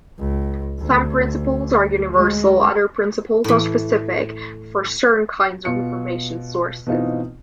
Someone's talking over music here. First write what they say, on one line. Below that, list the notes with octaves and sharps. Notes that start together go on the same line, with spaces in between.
Some principles are universal, other principles are specific for certain kinds of information sources.
C#2
D2
G#3
A2 E3
B2 F4 C#7
B2 E3 C4 D#4 F4